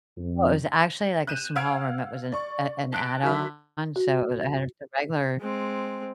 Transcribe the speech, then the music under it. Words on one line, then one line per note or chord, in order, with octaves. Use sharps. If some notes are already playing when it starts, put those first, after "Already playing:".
Oh, it was actually, like, a small room, it was an, uh an add-on, so it was it had just a regular,
F2
F#6 G6 D#7 E7
F5 F#5 E6 F6 G#6 D7
D5 C#6
A5 F#6 D7
D#3 F#3 E5
F#4
G#3 C4